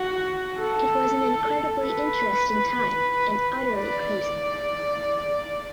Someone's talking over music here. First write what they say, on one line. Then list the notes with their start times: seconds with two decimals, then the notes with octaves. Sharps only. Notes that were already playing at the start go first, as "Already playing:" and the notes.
It was an incredibly interesting time and utterly crazy.
Already playing: F#4
0.60 A4
1.87 B4
3.76 D5